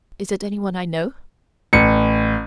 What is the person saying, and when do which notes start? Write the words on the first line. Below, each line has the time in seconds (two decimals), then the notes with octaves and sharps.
"Is it anyone I know?"
1.73 A1 C#7